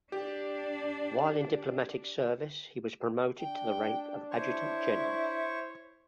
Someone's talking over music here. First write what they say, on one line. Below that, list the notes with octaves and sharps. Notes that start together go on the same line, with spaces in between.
While in diplomatic service he was promoted to the rank of Adjutant General.
D4 G4
D4 G5
E4 C5 C#5 C#6